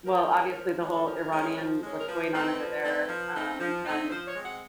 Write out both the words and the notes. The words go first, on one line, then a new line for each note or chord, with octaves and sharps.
well, obviously the whole Iranian what's going on over there, um, and
F3 A#4
G#3 C#4
F3
G#3 C#4
A4
F3 A#4
G#3 C#4
F3
G#3 C#4
A#4
F3 B4
A3 C4 D#4
F3
A3 C4 D#4
F3
A3 C4 D#4
F3
A3 C4 D#4
F3 C5
C#5
G#3 C4
F#5